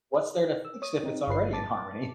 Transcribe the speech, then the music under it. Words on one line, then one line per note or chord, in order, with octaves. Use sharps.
What's there to fix, if it's already in harmony?
E6
C#5 D#6
C4 D#4
G1 F4 B4 C7
A5 D6 A6